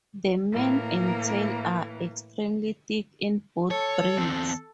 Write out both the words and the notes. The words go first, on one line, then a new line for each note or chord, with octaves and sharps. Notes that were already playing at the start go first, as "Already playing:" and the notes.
The mane and tail are extremely thick in both breeds.
A2 E3 A#3 A#4
A4 C#5
E2 C4